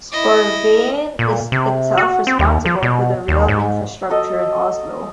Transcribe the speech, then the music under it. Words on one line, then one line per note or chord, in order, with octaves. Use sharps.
Sporveien is itself responsible for the rail infrastructure in Oslo.
E4 D#5
A#2
C3
F#4
C4
D#2
F3
B2
D#2
G#2
F#3 A4 D#5